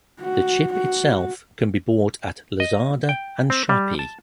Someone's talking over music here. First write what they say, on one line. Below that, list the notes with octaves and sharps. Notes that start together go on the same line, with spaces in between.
The chip itself can be bought at Lazada and Shopee.
F#4
F#4
D#5
G5
C4
G3
A5